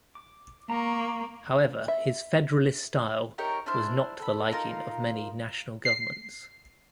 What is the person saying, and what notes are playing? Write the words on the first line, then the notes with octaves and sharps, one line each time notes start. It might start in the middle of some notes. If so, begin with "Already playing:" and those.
However his federalist style was not to the liking of many national governments.
D6
A#3 A#5 C#6
E5
D#4 G4 A#4 C#5
D4 E4 C5 F6
A4 B5
D#4 F4 A#4
C7